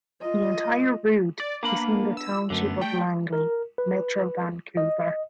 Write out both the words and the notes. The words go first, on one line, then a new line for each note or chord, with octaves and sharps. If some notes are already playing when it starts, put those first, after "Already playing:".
The entire route is in the Township of Langley, Metro Vancouver.
F4 D#5
D5
A#3 B3 D4 B5
E6
F#2 D3 A3 B3
G3 A3 G5
A#4
B4
D#5